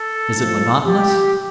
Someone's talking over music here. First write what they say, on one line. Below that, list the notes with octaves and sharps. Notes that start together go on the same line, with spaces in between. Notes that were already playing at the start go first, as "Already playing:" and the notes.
Is it monotonous?
Already playing: A4
A2 F3
G4